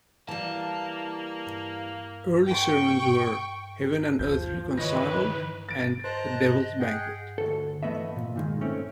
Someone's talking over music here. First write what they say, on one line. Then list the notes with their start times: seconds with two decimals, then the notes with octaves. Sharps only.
Early sermons were "Heaven and Earth Reconciled", and "The Devil's Banquet".
0.28 E3 G3 A#3 A5
2.46 G5 C#6
4.19 D#2 F3 G6
4.78 D#3 E3 B4 C#5 D#5 A#6
5.69 A6 D7
6.04 C5 D#5 A5 A#5 F#6
6.80 G#4 F#5 G5
7.38 D2 A4
7.83 E3 A3 B3 D#5 E5
8.16 A#2
8.35 A#2 D#3 G#3
8.61 A3 C4 C#4